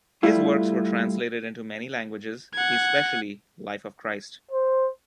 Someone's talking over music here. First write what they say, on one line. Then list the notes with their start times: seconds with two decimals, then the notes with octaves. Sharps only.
His works were translated into many languages, especially "Life of Christ".
0.23 G3 A3 E4 F4
2.54 F#5 G#6
4.51 C5